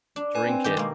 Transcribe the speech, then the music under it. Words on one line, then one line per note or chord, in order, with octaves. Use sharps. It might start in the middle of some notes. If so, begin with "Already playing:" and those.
drink it,
D4
B4 G#5
C4
D#3 G4 G5
B2 G#3 A#3